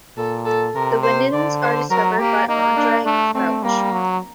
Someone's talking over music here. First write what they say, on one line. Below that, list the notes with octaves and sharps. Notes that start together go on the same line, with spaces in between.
The Winans were discovered by Andrae Crouch.
A#2 A4
A4
C3 A#4
C5
D3 D5
C5
F#3 A#4
A#3 G4
A#3 D#4
D4
A3 D4
A3 C4
G3 A#3
F#3